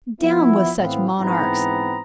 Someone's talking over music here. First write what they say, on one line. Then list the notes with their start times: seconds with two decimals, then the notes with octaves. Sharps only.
Down with such monarchs!
0.21 F3 B3 E4
0.79 A2 E3 B3 C4 F5
1.19 G#2 E3 B3 C4 A#5